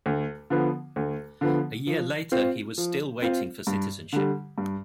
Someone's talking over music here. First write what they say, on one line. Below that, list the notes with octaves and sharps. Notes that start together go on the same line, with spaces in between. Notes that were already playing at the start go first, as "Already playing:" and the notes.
A year later he was still waiting for citizenship.
D2
D3 F3 B3
D2
D3 F3 B3
F3
C4 F4 C5
F3
C4 F4 C5
G2
D3 G3
G2